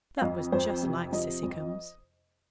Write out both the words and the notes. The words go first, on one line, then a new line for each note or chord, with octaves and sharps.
That was just like Cissycums.
F5
F2 D#5
F2 C5
C3
F3 D#5
F2